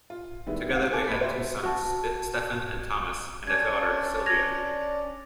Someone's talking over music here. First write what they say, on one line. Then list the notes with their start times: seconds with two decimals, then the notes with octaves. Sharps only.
Together they had two sons, Stephan and Thomas, and a daughter, Sylvia.
0.10 F4
0.47 D#3 G3 G#3 B3 E4
0.72 F5 F#5
0.91 A4 G#5 A5 D6
1.08 C#2 A#2 B5 B6
1.20 F#4 G4 C5 E5
1.64 F#4 A5
3.47 C#4 D4 D5 G#6
4.26 G#6 A#6 F7